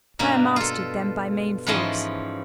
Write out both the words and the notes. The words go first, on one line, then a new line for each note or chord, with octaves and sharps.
Prayer mastered them by main force.
G2 B2 A#3
F4 A4
G#2 E3 F3 C#4 D#5 A5